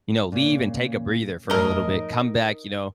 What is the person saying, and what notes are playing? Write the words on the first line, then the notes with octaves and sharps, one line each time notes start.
you know, leave and take a breather for a little bit, come back, you know,
A#2 C#3
F2 A2 G#4 A#4 D#5
D#4